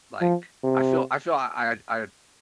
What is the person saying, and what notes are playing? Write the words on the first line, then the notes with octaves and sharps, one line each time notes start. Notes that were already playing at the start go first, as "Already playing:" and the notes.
Like, I feel I feel I I
F3
C3